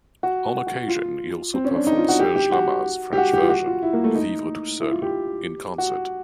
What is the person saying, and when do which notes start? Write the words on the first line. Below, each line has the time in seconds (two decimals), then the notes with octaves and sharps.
On occasion he also performed Serge Lama's French version, "Vivre tout seul", in concert.
0.23 F#4
0.56 F#4
0.67 F#4
0.88 F4
1.54 C4
1.64 C#4
1.75 D4
1.87 D#4
1.97 F4
2.09 F#4
2.19 G4
2.36 G4
2.52 F#4
3.13 G4
3.18 F#4
3.33 G4
3.42 F4
3.49 F#4
3.66 F4
3.83 E4
3.93 A#3
4.04 A3
4.15 D#4
4.80 E4
4.91 F4
5.02 G4
5.78 F#4